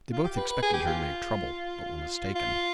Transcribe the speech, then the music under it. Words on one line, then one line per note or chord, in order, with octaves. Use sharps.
They both expected her to make trouble but were mistaken.
F4
G4
B4
B4
G#4
G4
F4
F4